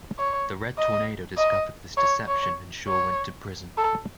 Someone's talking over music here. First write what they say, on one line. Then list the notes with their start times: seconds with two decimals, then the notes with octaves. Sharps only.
The Red Tornado discovered this deception and Shaw went to prison.
0.19 C#5
0.78 D#5
1.37 D#5
1.97 C#5
2.28 C#5
2.88 C#5
3.78 A4